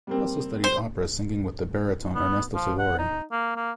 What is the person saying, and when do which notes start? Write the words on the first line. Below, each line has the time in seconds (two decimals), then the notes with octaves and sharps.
He also studied opera singing with the baritone Ernesto Sivori.
0.07 G3 A#3 C4
0.64 C5
2.15 B3
2.54 F3
2.79 F#5
2.99 D#4
3.32 A#3
3.56 A#3